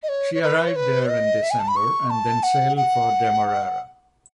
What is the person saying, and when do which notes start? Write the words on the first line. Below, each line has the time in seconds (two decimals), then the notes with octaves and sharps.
She arrived there in December and then sailed for Demerara.
0.03 D#5
0.09 C#5
0.34 C#5
0.42 B4
0.67 C#5
0.76 B4
1.09 D#5
1.43 E5
1.51 G#5
1.59 A5
1.68 B5
1.76 C#6
2.10 A5
2.43 F#5
2.77 F#5